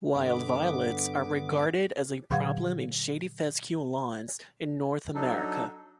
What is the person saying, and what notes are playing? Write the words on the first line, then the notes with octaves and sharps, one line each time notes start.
Wild violets are regarded as a problem in shady fescue lawns in North America.
G2 D3 B3 D6
A#2 D3 F#3 F5 F#5 G#6
F#3 D4 D#4 A4